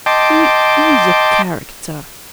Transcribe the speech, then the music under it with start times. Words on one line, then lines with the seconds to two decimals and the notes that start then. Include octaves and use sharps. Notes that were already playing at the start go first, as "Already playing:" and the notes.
"He is a character!"
0.06 D#5 G5 A5 C6 D6